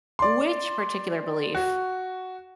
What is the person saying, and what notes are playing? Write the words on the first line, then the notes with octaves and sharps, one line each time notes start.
which particular belief,
D5 C6
F#4